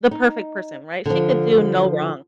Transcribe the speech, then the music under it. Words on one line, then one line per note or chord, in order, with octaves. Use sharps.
the perfect person, right? She could do no wrong.
D#4
D3 F3